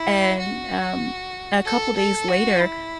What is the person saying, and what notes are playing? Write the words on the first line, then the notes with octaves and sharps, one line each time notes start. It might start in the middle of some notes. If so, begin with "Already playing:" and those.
And, um, a couple days later,
Already playing: E4
F#4
A4
A4
F#4
E4